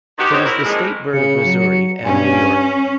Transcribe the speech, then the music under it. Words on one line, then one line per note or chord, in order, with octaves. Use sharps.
It is the state bird of Missouri and New York.
D#3 B3 F#4 G4
G#2 D#3 C4 D#4 C#5
E4 A#4
F2 A#2 D#3 G#3
C#3 C#7
F#3
G2 C#4 G#5